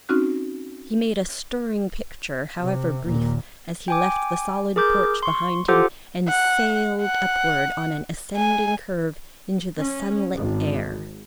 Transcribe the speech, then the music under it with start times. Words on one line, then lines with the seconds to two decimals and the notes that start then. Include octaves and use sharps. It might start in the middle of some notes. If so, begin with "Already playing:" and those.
He made a stirring picture, however brief, as he left the solid porch behind him and sailed upward on an ascending curve into the sunlit air.
0.09 C4 C#4 D#4 F#4 F6 F#6
2.61 C3
3.05 D#2 A#2
3.88 G5 G#5 D6
4.76 G#4 A#4 D6 G6
5.23 C6 C#6
5.68 F4 G4 A4 C5 F#5 D6
6.28 F#5
7.02 F#5
8.36 G#5
9.77 C#4
10.35 G#1